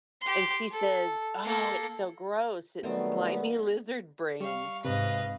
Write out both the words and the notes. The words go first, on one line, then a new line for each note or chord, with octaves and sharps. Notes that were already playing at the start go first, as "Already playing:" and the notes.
And she says, "Oh, it's so gross. It's slimy lizard brains."
G4 C6
A4
A#3 A4
D#3 F#3 G3 A3 B3 C4
G3 F5 C#6
G#2 C3 B4 D#5 F5